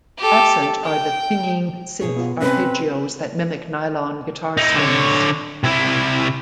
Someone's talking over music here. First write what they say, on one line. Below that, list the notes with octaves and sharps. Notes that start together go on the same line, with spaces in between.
Absent are the pinging synth arpeggios that mimic nylon guitar strings.
G4 A4
G5
B2 G#4 C#5
B3 F4 B4
C3 C4 C#4 B4 D#5 F#5
D#4 E4
D3 C#5
C3 E4